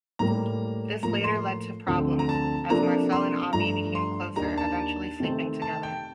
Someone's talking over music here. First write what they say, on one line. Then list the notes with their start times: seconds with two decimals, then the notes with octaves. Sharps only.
This later led to problems, as Marcel and Abi became closer, eventually sleeping together.
0.19 A2 G3 A#3 A#5
1.03 A2 F3 A#3 F4 A#5
1.24 C6
1.87 D2 D3 F3 C4
2.19 A#5
2.29 A5
2.70 C3 F3 A#3 D4 A4 A#5
3.12 C6
3.53 G2 F3 A3 A#5
3.95 C6
4.36 D#2 D#3 A#3 D4 G4 A#5
4.58 A5
5.20 C3 D#3 A3 C4
5.62 A5
5.83 G5